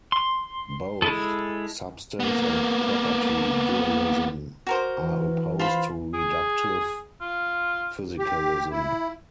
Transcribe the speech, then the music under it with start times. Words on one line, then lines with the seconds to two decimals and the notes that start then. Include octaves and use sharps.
Both substance and property dualism are opposed to reductive physicalism.
0.12 C6
1.02 G#3 E4 G#4 A4
2.20 A#3 B3
4.67 F#4 A#4 C5
5.01 E3
5.59 F4 C5 B5
6.14 G#4
7.21 F4
8.19 G4
8.70 E4